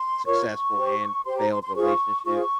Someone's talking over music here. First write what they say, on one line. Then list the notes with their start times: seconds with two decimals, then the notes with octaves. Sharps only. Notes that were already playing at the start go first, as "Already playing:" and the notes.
successful and failed relationships,
Already playing: C6
0.25 F4 A#4 C#5 C#6
0.75 G4 C5
1.24 G4 C5 C6
1.37 A#5
1.50 C6
1.62 C6
1.74 F4 G#4 C5 C#6
2.24 F4 G#4 C5 C#6